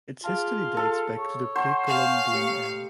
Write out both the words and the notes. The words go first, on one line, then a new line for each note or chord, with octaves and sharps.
Its history dates back to the pre-Columbian era.
F4 G#4 F5 A5
A4
C#5
C5 F#5 A5 C#6
F5 F#5 G#5
A3 G4 C#7